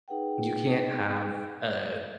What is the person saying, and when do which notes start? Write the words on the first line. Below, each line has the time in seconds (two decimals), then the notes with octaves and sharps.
You can't have a
0.08 D#4 G#4 B4 F#5 G5